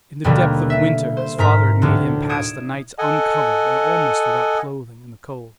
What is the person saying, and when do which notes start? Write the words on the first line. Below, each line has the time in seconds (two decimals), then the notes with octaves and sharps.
In the depth of winter his father had made him pass the nights uncovered and almost without clothing in the cold.
0.24 D#2 B2 D3 D#3 G3 A#3
0.70 E5
1.17 C5
1.38 G#2 A#4 A#5 B6
1.82 D2 A2 D3
2.29 D#6 G#6 C#7 D7 E7
2.98 A4 D#5 F#5 G#5